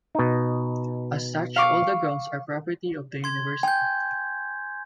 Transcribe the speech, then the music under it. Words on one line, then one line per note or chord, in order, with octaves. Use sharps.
As such all the grounds are property of the University.
B2 D#4
F5 C#6 D6
C6 G#6
G5 G#5 G6